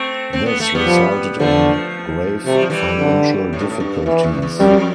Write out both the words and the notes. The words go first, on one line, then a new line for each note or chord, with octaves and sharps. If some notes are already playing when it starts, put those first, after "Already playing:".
This resulted in grave financial difficulties.
Already playing: A3 C4
C4
B3
A3
G3 B3
F3
D3 F3 A3
C3 A3
G3
F3
E3 G3
D3
A2
G2
A2
G2
E2 E3
E2
E2
F2 G3